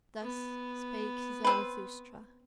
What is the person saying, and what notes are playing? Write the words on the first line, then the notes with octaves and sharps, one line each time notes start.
Thus spake Zarathustra.
B3
C4 B4